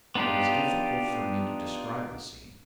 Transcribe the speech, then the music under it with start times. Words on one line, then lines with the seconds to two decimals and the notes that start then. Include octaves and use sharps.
It is difficult for me to describe the scene.
0.15 B3 D4 D#4 F4 G4